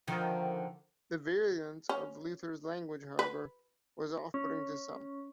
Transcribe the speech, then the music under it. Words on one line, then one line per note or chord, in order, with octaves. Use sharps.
The virulence of Luther's language however, was off-putting to some.
D3 D#3 F3
C#4
B4
C#4